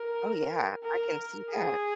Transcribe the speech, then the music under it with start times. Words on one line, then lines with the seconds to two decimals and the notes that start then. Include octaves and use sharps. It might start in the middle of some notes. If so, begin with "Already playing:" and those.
Oh, yeah. I can see that.
Already playing: A#4
0.84 A#4
1.50 G#4